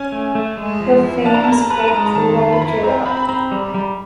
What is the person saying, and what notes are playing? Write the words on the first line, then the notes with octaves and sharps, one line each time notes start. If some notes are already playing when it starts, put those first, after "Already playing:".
Her fame spread throughout Europe.
Already playing: C#4 G#5
A3
A3
G#3
F3
E4
D4 A5
A#5
A5
A#3 A#5
A5
B4 A#5
A5
A#5
G#3 A5
A#5
D#3 A5
F4
B5
E4 A#5
C4 A#5
C4 B5
B5
C4 A#5
G3
G3